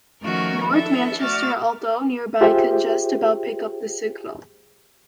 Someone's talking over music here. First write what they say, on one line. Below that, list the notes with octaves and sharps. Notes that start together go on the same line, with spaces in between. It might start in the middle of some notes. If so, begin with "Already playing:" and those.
North Manchester, although nearby, can just about pick up the signal.
D#3 F3 A3 C#4 F#4 A#4
D4 E4 A4 E5
A3 F#4 D5 E5 F6 A6
F4 G4 G#4 C5 E5 G5